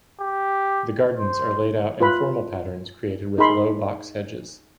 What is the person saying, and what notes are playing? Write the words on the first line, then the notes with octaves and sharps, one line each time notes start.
The gardens are laid out in formal patterns created with low box hedges.
G4
C5
F4 B4 B5
D#4 G#4 A#4 B5 C6